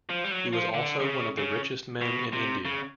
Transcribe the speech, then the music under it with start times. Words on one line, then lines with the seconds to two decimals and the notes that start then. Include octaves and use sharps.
He was also one of the richest men in India.
0.10 F3
0.24 G3
0.31 F#3
0.53 F3
0.74 D3
1.00 D3
1.05 C#3
1.38 C#3
2.01 B2
2.33 C3
2.65 C#3